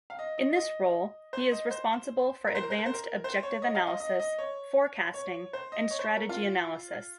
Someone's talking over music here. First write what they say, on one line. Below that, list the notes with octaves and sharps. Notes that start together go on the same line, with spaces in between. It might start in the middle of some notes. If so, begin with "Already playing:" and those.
In this role, he is responsible for advanced objective analysis, forecasting, and strategy analysis.
F5
D#5
D#5
D#5
C5
D#5
C5
A#4
C5
A#4
C5
A#4
C5
A#4
C5
C#5
D#5
F5
D#5
D#5
D#5
C#5
C#5
C5
D#5
C#5
C5
C#5
A#4
F4